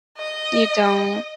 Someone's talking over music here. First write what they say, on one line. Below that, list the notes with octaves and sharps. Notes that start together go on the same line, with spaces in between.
You don't.
D#5
D#5